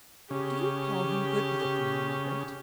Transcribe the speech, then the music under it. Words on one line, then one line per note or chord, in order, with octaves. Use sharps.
Do you call him good looking, Margaret?'
C#3 G4